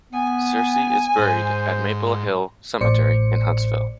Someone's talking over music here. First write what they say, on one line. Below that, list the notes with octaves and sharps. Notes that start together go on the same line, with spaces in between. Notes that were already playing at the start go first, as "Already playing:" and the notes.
Searcy is buried at Maple Hill Cemetery in Huntsville.
B3 G#5
G#2 C5
A1 A2 C5 D5 C#7